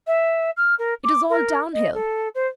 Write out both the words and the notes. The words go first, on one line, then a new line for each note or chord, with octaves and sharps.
It is all down hill.
E5
F6
A#4
D6
A#4
D#5
A4
C5